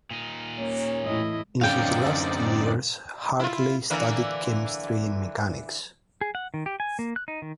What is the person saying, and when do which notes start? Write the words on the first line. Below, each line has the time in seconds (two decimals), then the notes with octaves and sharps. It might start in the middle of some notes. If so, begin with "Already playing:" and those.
In his last years, Hartley studied chemistry and mechanics.
0.11 A#2 D#4
0.58 D#2 A#3 C#4 C#5
1.04 E2 A2 E4 D#5
1.61 F#2 D3 C4 C#4 D#4 D5 F5 G5
3.40 E4 F4
3.90 D3 E3 A#3
6.21 G#4
6.35 F#5
6.54 D#3
6.66 G4
6.80 G#5
6.99 A#3
7.16 F#6
7.28 D#4
7.42 D#3